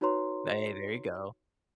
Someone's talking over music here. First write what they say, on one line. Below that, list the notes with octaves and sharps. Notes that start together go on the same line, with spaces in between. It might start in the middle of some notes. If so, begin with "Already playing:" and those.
Hey, there you go.
D#4 F#4 B4 C#5 A#5 C6